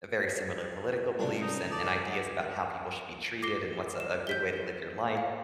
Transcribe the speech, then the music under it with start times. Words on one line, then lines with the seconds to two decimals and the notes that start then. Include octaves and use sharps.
very similar political beliefs and and ideas about how people should be treated and what's a a good way to live your life,
1.19 C3 G3 G#3 D4 F4
1.41 C#4 D#4
1.72 A4 D5 A5
3.42 A4 D6 A#6 C7 G7
4.00 E7
4.27 G6 B6 G7
5.17 F5